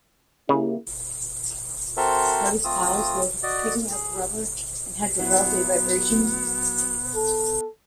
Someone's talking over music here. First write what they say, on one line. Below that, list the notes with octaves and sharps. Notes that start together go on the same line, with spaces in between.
Prost's tires were picking up rubber and had developed a vibration.
C#3 A#3 E4 G4
C4 F#4 A4 A#4 C5 E5
A3 C4 F4 D#6 E6
F#4 D5 D#5
G#4
F#3 B3 E4
A4